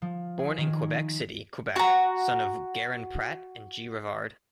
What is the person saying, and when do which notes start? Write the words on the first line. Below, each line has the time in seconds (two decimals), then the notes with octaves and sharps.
Born in Quebec City, Quebec, son of Garon Pratte and G. Rivard.
0.02 F3
0.39 G#4
0.58 D#3
1.76 F#4 A#5